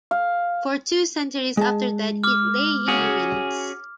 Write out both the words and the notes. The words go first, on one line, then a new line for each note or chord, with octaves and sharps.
For two centuries after that it lay in ruins.
F5
G#3 A5
D6 F6
C#4 F#4 G#4